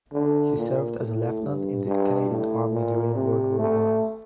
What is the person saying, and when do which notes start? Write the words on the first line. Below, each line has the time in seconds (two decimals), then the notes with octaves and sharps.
He served as a lieutenant in the Canadian Army during World War One.
0.13 D3
0.57 A#2
1.00 A2
1.43 G2
1.86 G2
2.29 A2
2.72 A#2
3.15 C3
3.59 A3